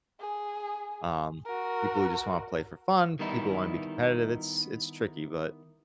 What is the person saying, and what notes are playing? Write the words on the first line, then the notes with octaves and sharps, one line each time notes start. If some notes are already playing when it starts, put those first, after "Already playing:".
um, people who just wanna play for fun, people who wanna be competitive. It's it's tricky but,
G#4
F#4 A#4
D#3 G3 B3 D#4 E4